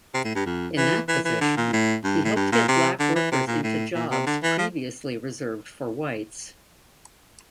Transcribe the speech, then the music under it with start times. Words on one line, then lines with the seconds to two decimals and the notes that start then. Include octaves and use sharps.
In that position, he helped get black workers into jobs previously reserved for whites.
0.14 C3
0.24 A2
0.35 G2
0.46 F2
0.77 E3
1.09 E3
1.25 E3
1.41 D3
1.57 A#2
1.73 A2
2.04 G2
2.25 A2
2.36 G2
2.52 A#2
2.68 C3
2.99 D3
3.16 E3
3.31 C3
3.47 A#2
3.63 A2
3.95 A#2
4.11 C3
4.27 D3
4.43 E3
4.58 F3